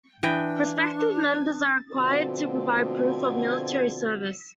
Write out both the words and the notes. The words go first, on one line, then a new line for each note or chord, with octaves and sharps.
Prospective members are required to provide proof of military service.
E3 D4 D#5 G5
B2 D3 F3 C4 F#4